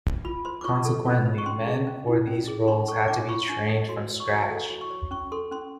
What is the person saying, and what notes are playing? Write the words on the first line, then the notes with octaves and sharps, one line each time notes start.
Consequently, men for these roles had to be trained from scratch.
F4 B5
C5 C6
D6
F4 C#6
A4
F4
C5
C#6
C#4 C6
G#4
C#4
E4
C#4
G#4
D4 C6
A4 C#6
D4 D6
F4 C#6
D4
A4
F#4 C6
C#5
C#6
F#4
A4
F#4
C#6
C#5
C#4 C#6
A4 C6
C#4 C6